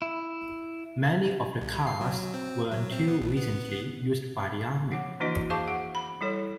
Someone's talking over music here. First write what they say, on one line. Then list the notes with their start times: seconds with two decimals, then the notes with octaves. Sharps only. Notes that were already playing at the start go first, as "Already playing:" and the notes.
Many of the cars were until recently used by the army.
0.02 E4
1.61 C2
1.87 C7
2.01 F#3
2.34 C4
2.71 F#3
2.92 C4
3.08 B3
3.21 A#1
3.36 B3
4.92 F3 F#5
5.20 E3 A#3 D4 E4 F#4 D#5
5.50 G#4 C5 F5 A5 C#6 D6
5.68 F#5
5.95 B5
6.21 G3 E4 A4 C#5